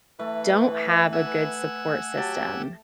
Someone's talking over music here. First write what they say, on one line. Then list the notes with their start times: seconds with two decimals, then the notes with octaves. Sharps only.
don't have a good support system,
0.19 E3 A3 B4
1.13 F#5 G#5 E6
2.17 F#3 G4 A5